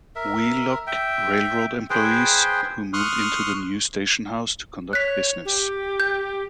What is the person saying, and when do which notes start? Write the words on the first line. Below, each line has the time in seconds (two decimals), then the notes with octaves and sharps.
Wheelock, railroad employees, who moved into the new station house to conduct business.
0.16 A#4 E5
0.87 E5 G5
1.90 G#4 B4 C5 G5
2.93 C6 C#6 D#6 F6 F#6
4.93 C#5 F#6 B6
5.45 G4
6.00 G6